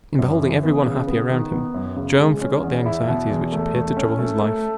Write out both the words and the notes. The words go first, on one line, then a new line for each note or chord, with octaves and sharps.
In beholding every one happy around him, Joam forgot the anxieties which appeared to trouble his life.
F#2
E3
B3
C#3
B3
D#3
B3
F#2
C#3
G#3
C#4
E2
E4
B2
E2
A3
A3
C#4
A3
A3